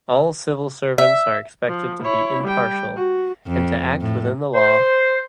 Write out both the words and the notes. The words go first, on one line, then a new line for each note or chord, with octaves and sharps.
All civil servants are expected to be impartial, and to act within the law.
E5
F3
E4 C#5
G3 G5
F#4
F2
A2
C5